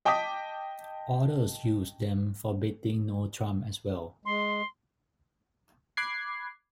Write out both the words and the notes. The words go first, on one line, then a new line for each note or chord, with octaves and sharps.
Others use them for bidding no-trump as well.
D#5 G5 A5 D6 D#6 B6
G#3 C6
B5 D6 F#6 G#6 C7